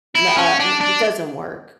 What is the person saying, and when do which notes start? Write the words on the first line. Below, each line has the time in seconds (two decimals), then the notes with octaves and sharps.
ma uh, m it doesn't work.
0.15 E4
0.27 B3
0.37 C#4
0.60 D4
0.81 D4